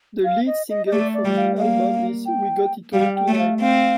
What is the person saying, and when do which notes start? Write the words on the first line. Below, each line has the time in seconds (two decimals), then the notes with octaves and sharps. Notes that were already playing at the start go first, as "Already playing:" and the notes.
The lead single from the album is "We Got It All Tonight".
0.24 F5
0.47 D#5
0.70 D#5
0.86 D#5
0.92 A3 D5
1.14 D5
1.25 G3
1.36 F5
1.59 A#3 F5
2.26 G5
2.93 G3 F5
3.15 G5
3.28 A3
3.38 F5
3.61 C4 F5